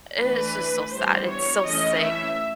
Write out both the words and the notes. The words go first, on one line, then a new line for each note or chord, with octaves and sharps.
i it's just so sad. It's so sick,
E3 A3 D4 B4
E3 G3 B3 D4 C5
C#5
E3 A3 C#4 D#5
E5